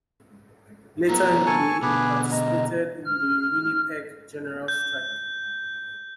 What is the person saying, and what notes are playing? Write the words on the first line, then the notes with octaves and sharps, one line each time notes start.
Later in the year, he participated in the Winnipeg General Strike.
F#3 A#3 B3 A#5
A4 G#5 C#6
B2 D3 G#4 B4 D6
D#5 A#5
F6
G6